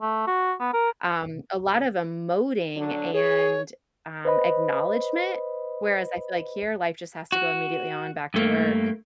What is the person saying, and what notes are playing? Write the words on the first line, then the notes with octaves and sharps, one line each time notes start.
um, a lot of emoting and, um, acknowledgment. Whereas I feel like here, life just has to go immediately on back to work.
A3
F#4
B3
A#4
D3 F#3 D4
G#4 C#5
B4 C5 D#5 B5
F#4
G2 A3 A#3